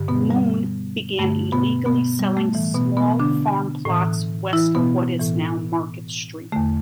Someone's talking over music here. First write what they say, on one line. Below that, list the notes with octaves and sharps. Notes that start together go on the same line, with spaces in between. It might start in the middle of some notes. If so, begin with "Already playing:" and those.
Moon, began illegally selling small farm plots west of what is now Market Street.
Already playing: G2 D3
B2 B3
G3
G2 D3 A3
B2 B3
B2 B3
G3
A3
A2 E3
B2 B3
B2 B3
D3 D4
A2 E3
E3 E4
B2 B3
A2 E3
E2 D3 A3